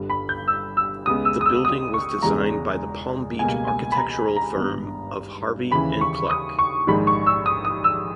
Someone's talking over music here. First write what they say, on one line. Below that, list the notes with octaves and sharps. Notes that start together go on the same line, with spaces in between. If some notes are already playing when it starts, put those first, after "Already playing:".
The building was designed by the Palm Beach architectural firm of Harvey and Clarke.
Already playing: G1 G2 G3
B5
G6
E6
E6
C#2 C#3 G#3 B3 D#6
E6
D#6
E6
D#6
C#6
E1 E2 C#3 G#3 A#5
C#2 B2 G3 A#3 G#5
G#5
B5
A#5
A#5
G#1 G2 G3 B3
D#2 C#3 E3 B5
C#6
D#6
C#6
A#1 G#2 D#3 G#3 B5
C#6
E6
D#6
D#6
E6